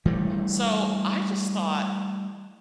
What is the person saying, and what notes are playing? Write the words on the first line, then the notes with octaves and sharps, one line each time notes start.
so I just thought
E3 G3 A3